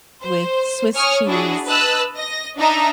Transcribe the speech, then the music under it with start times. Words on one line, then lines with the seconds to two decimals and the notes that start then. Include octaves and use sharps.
with swiss cheese,
0.22 C5
0.94 C#5 G#5 D#6 F6 C#7
1.27 D4 E4 F#4 G#4
1.66 B4 D#5 A5 E6 F#6
2.16 D#5 A#6
2.57 D4 D#4 E5 A#5